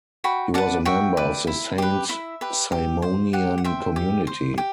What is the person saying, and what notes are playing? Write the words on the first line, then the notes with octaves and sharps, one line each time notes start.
He was a member of the Saint-Simonian community.
F#4 G5 B5
B4 D5 F#5 A5
F#4 E5 G5
B4 D5
E4
G4 B4
E4 E5
G4 B4
G4
C5
G4 F#5
F#5
C5 E5 G5
G4
C5
G4 G5